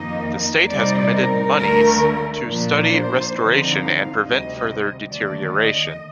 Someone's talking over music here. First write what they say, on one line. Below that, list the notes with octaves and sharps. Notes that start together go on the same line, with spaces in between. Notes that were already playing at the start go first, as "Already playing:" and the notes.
The state has committed monies to study restoration and prevent further deterioration.
Already playing: F2 D#3 A#3 D#4 D#5
C3 G3 C4 D#4 D5
A#4
D2 D3 A3 A#4
A#2 F3 A#3 D4
C5
D3 F3 C4 D#4
F5
D2 C3 G3 D#5
D#2 D3 A3 D5
D#5